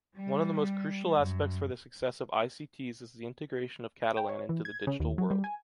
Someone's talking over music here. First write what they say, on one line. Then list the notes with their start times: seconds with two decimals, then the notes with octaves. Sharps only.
One of the most crucial aspects for the success of ICTs is the integration of Catalan into the digital world.
0.16 G3
1.20 F#2
4.17 G5
4.29 C#5
4.49 E3
4.65 G#6
4.87 C#3
5.00 D#2
5.18 F#3
5.31 G3
5.44 G#5